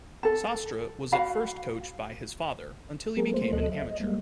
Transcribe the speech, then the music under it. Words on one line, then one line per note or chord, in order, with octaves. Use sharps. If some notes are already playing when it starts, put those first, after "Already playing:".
Sastre was at first coached by his father, until he became an amateur.
A4 A5
F#4 F5 A5 B5
F#3 A#3 B3 G#4 A#4
A3 A#3 C5
D2 F#3 A4 D#5 F#6
E5
D#5
G3 G#3 A#3